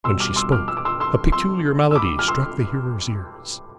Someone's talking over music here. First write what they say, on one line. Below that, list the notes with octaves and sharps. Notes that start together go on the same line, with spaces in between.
When she spoke a peculiar melody struck the hearer's ears.
B2 G3 C6 E6
D6 F6
C6 E6
D6 F6
E6
D6
C6 E6
C6 E6
C6 E6
E6
B5 D6
F6
C6 E6